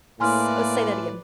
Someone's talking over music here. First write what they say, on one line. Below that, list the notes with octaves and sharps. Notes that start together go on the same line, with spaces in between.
S Oh, say that again.
A2 A#3 B4 D5 G#5 C6 F6